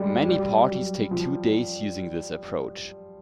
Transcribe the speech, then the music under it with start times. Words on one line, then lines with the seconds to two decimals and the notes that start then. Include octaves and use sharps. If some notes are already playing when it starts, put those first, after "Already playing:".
Many parties take two days using this approach.
Already playing: G3 G#3
0.28 G3
0.70 F#3
1.11 F3